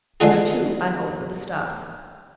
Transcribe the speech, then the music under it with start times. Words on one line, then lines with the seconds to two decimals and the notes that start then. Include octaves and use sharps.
So, too, I hold, with the stars.
0.20 D3 F3 G#3 D4 F4 G#4